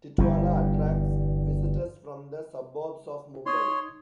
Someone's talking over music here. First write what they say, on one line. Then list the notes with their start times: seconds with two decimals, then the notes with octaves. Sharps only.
Titwala attracts visitors from the suburbs of Mumbai.
0.18 G1 E2 G2
3.46 D#4 C#5 C6 D#6 G#6